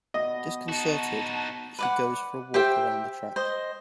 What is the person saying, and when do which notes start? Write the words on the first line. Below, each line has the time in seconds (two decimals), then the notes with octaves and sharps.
Disconcerted, he goes for a walk around the track.
0.14 B2 D#5
0.69 D#4 F#4 A5
1.79 B4 D5 F#5
2.54 G4 C5 E5 G5
3.36 C5 D#5